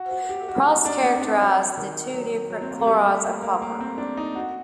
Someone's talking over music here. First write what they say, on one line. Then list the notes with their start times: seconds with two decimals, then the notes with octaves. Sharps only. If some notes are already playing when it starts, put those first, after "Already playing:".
Proust characterized the two different chlorides of copper.
Already playing: F#4
0.11 F#4
0.29 G4
0.48 F#4
0.67 D#4
0.85 D4
1.03 C4
1.16 D#4
1.22 D4
1.41 F#3
1.77 D#3
2.14 F#3
2.50 F#3
2.62 C4
2.71 A#3
2.80 A3
2.87 G3
3.06 A3
3.24 A#3
3.42 A#3
3.62 A#3
3.80 C4
3.98 D4
4.17 D#4
4.35 F#4